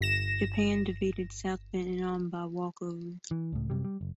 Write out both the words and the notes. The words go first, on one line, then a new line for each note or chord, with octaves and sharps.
Japan defeated South Vietnam by walkover.
G1 A#6 E7
E3
C#2 A2
F#2 C3 F#3 G3
G3
F#1